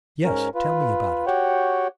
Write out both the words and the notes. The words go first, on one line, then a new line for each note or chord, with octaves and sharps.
'Yes; tell me about it.
G#2 C#4 A#4
F4 B4
F#4 G4 C#5 F#5 G5